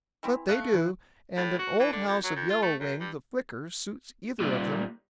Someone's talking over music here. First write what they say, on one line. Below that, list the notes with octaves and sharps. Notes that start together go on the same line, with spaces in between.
But they do, and an old house of Yellow Wing the Flicker suits either of them.
E3 C4 E4
A3 D#5 F5 F#6 C#7
E3
A2
F#4
E3
D3
F2
F#3
F2
F4
A3
F#2
G2
A#2 G3